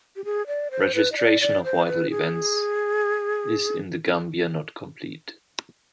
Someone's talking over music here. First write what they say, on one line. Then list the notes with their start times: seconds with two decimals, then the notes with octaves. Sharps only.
Registration of vital events is in the Gambia not complete.
0.16 G4
0.25 G#4
0.47 D5
0.71 C5
0.95 B4
1.12 D#5
1.17 D5
1.41 D5
1.64 C5
1.87 B4
2.10 G#4